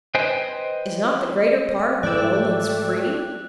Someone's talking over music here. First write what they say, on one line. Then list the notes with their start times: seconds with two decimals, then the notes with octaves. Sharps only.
Is not the greater part of the Lowlands free?
0.15 B4 C5 D#5 G5 G#5
2.03 G#2 F3 G#3 A3 D5 G5 E6 F#6